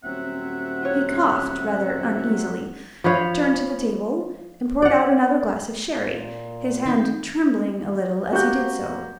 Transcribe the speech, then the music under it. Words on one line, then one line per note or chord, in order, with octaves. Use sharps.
He coughed rather uneasily; turned to the table, and poured out another glass of sherry--his hand trembling a little as he did so.
D#1 F#3 C4 E5 F#5
F4 C#5
F3 B4 C#5 F5
D5 F#5
A#2
D#3 C4 D#4 G6
A#3 F#4 G4 G6